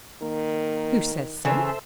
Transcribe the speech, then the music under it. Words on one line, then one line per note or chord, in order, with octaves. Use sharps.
"Who says so?"
D#3 A#3
C#3 E3 A4 C5 E5